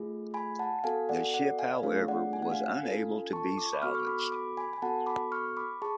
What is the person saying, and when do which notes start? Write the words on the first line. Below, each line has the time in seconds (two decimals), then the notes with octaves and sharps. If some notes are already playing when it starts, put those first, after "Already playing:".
The ship however, was unable to be salvaged.
Already playing: A3 F4 G#4
0.34 G#5 B5
0.59 F#5 A5
0.84 B3 F#4 A4 F5 G#5
1.09 D5 F#5
1.34 D5 F#5
1.59 F5 G#5
1.83 A3 D4 F4 G#4 C#5 F5
2.08 D5 F#5
2.33 G#5
2.42 F#5
2.51 F5 G#5
2.83 C#4 F4 A4
3.33 A5 C#6
3.58 D6
3.66 C#6
3.73 B5 D6
3.82 B3 F#4 A4 C#6 F6
3.95 C#6 F6
4.07 B5 D6
4.20 B5 D6
4.32 B5 D6
4.57 G#5 B5
4.73 G#5
4.82 B3 F#4 A4 F#5 A5
5.06 B5 D6
5.32 C#6 F6
5.57 B5 D6
5.82 G#4 A5 C#6